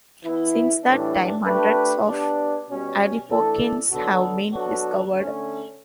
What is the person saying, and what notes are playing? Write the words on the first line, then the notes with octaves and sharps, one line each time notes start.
Since that time, hundreds of adipokines have been discovered.
E3 B3 E4
A2 E3 G3 D4
A3 D4 G4 B4
G3 B3 D4
B2 G3 C#4
E3 A3 D4 A4
D3 F#3 B3 F#4 A4
F#3 B3 D4 F#4 A4
D3 A3 C#4